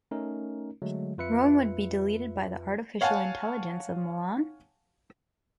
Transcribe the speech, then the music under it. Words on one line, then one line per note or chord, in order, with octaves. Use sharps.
Rome would be deleted by the artificial intelligence of Milan?
A3 C#4 D#4 A#4
D3 F#3 G#3 A3
F2 F4 B4 E5 C#7
C#5 F5 F#5 G#5 A5